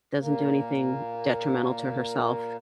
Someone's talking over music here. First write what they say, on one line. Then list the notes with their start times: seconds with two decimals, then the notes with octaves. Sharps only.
doesn't do anything detrimental to herself.
0.19 A#2 A#3